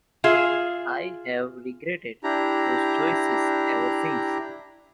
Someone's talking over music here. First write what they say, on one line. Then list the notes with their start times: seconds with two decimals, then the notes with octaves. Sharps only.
I have regretted those choices ever since.
0.24 F4 G#4 E5
2.24 D4 E4 G4 A#5